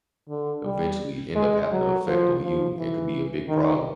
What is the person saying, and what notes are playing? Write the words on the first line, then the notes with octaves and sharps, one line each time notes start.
eventually end up having a affect on you and it could be a big problem
D3
G3
G#3
F#3
F3
F3
E3
D#3